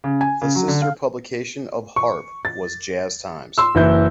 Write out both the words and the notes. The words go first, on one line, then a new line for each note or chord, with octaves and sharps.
The sister publication of "Harp" was "Jazz Times".
C#3
G#5
C#3
F#3
D3
F5
C#6
A6
C6 E6
F#1 E3 E4 G6